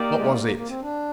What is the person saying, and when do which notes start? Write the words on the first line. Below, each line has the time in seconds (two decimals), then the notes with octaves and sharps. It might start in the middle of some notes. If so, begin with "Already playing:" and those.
"What was It?"
Already playing: A#3 D#4 G4 D5
0.16 G#3
0.29 A#3
0.42 A#3
0.56 A#3
0.68 C4
0.82 D4